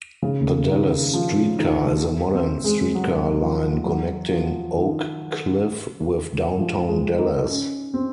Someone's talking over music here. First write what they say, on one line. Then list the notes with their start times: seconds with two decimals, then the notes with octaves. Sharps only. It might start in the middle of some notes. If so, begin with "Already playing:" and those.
The Dallas Streetcar is a modern-streetcar line connecting Oak Cliff with downtown Dallas.
0.22 C#3
0.67 D#3
1.13 F3
1.59 D#3
2.34 C4
2.64 G#3
2.95 F#3
3.40 F3
3.85 F#3
4.31 F3
4.76 D#3
6.58 F3
6.88 G#3
7.18 D#4
7.48 C#4
7.94 C4